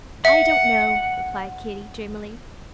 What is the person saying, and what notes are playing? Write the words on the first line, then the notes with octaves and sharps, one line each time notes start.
"I don't know," replied Katy, dreamily.
E5 F#5